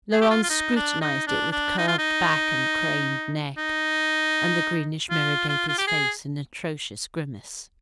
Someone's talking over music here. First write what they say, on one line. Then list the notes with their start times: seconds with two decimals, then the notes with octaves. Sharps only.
Laurent scrutinised it with curved back and craned neck, and the greenish mirror gave his face an atrocious grimace.
0.12 G#4
0.21 G4
0.30 F4
0.43 F4
0.50 D#4
0.76 D4
1.01 D#4
1.27 D4
1.52 D4
1.78 D#4
1.88 F4
1.99 D#4
3.58 D#4
5.11 F4
5.49 F4
5.68 F4
5.78 G4
5.87 G#4